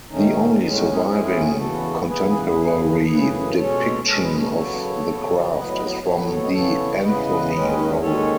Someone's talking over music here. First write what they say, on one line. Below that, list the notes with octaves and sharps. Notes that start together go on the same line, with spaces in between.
The only surviving contemporary depiction of the craft is from the Anthony Roll.
D#2 D#3 A3 C#4 D#4
A2 G#3 C#4 D#4
D#4 F#4
E4 G#4
A2 G#3 C#4 E4 G#4
E2 C#3 E3 B3 F#4 A4
E2 C#3 E3 B3 G#4 B4
F#2 C#3 E3 A3
F#2 C#3 E3 A3 G#4 B4
B2 G#3 C#4 A4 C#5
B2 G#3 C#4 A4 C#5
G#4 B4
A4 C#5
C#3 F#3 B3 A4 C#5
C#3 F#3 B3
A2 F#3 B3 B4 D#5
A2 F#3 B3 C#5
B4
A4 C#5
D#5
C#3 E3 B3 A4 C#5
C#5
C#3 E3 B3 B4 D#5
D#2 D#3 G#3 C#4
D#2 D#3 G#3 C#4 A4 C#5